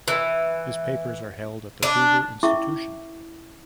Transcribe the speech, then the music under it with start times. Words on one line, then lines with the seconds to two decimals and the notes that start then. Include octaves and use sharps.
His papers are held at the Hoover Institution.
0.08 E3
1.83 D4
2.43 C#4 E4 E5 C#6 D6